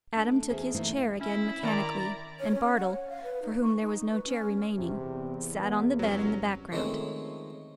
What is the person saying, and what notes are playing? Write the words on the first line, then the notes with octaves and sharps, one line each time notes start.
Adam took his chair again mechanically, and Bartle, for whom there was no chair remaining, sat on the bed in the background.
A3 D4
E2 C#4 F#4 G#4 C5 E5
E3 A3 A#3 D#4 E4
C#4 E4
D#3 D5 A#5
C#5
C#4
F#5
C#5
F5
B4
D#4
C#6
D#4
B4
C#4
E2 C3
B3
C2 F#3 C#4
D#3 F3 G#3 A3 C4 C#4